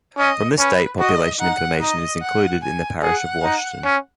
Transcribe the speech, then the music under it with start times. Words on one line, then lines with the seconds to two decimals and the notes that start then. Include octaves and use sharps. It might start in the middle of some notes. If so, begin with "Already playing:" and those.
From this date population information is included in the parish of Whashton.
0.18 C#4 D#5
0.58 C#4 B4
0.99 F#4 D#5
1.40 D#4 F#5
1.81 D#4 D#5
2.21 F#5
2.62 G#5
3.02 G#4 F#5
3.43 D#4
3.84 C#4